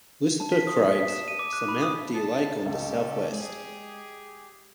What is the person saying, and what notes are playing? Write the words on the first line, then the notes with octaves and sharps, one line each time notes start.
Lucifer Crags surmount the lake on the southwest.
A5
B6
D#6
B6
B6
E7
D#7
D6
F#6
B5
D#6
A5
C#2 C#4 G4 A4
G#3 G4 G#4